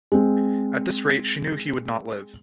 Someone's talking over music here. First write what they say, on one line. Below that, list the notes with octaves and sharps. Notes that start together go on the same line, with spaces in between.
At this rate she knew he would not live.
G#3 C4